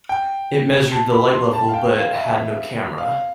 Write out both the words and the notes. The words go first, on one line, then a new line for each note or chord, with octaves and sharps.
It measured the light level but had no camera.
G5
A5
B5
C6
A5
F5
G5
F5
E5
E5
F5